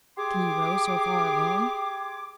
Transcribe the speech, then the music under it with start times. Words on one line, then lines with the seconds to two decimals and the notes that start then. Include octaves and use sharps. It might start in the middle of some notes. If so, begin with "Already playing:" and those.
"Can you row so far alone?"
0.17 G4 G#4 C6 D6